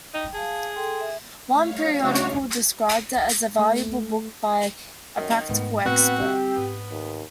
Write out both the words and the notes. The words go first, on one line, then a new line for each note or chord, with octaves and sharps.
One periodical described it as a valuable book by a practical expert.
D#4 G5
G#4 F5 A5
A4 G5 C6
E5
A3 C#5 F5
C#3 A3 D4 D#4 F#4
A3
F#2 D#3
G#2 A3 B3
A2 B3 C4 F#4
D3 G3 G4
G#2 B3
D#2